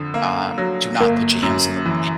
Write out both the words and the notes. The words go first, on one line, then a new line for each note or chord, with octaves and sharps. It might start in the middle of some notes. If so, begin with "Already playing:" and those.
Um, do not put your hands in the wa
Already playing: F2 D3
A#3
F#3
G1 A#3
F#2
E3